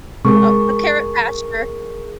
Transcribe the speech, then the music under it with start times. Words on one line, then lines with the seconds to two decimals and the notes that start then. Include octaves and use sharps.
Oh, a carrot pasture.
0.25 C3 G#3 G#4 A#4 C#6